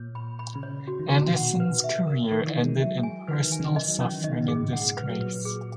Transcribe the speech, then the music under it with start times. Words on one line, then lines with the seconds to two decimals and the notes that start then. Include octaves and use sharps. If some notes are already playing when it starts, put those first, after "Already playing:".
Anderson's career ended in personal suffering and disgrace.
Already playing: A#2 C#5
0.15 B5
0.39 B5
0.55 C#3
0.63 C#5
0.88 F#4
0.99 D#3
1.11 F#4
1.19 A#2
1.24 B2
1.36 F#5
1.60 B4
1.84 E5
2.07 A#4
2.31 D#3 A#4
2.48 E3
2.56 C#5
2.64 G#3
2.80 F#3 E5
3.03 G#5
3.28 E3 B4
3.44 D#3
3.52 G#5
3.60 C#3
3.70 C#3
3.76 D#3 D#5
3.88 F#3
4.00 E3 C#4
4.12 D#3
4.24 D#3 D#5
4.37 C#3
4.48 G#2 G#4
4.61 A#2
4.73 G#2 F#5
4.84 A#2
4.97 B4
5.09 F#3
5.20 A#2 B4
5.45 G#4